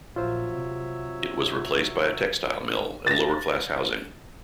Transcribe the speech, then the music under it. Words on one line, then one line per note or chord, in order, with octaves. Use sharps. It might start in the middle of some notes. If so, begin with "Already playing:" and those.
It was replaced by a textile mill and lower-class housing.
A#1 F#3 F4 C5 C#5 E5
C3
A6 A#6